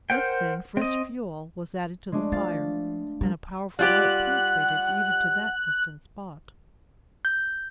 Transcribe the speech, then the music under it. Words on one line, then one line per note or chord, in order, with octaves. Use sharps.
Just then fresh fuel was added to the fire, and a powerful light penetrated even to that distant spot.
A#4 C5 F#5 G5
C4 D#5
G#3 A3 D4
F3 F5 A6
G3 A#4
G3 F4 G4 F#5 F#6
G6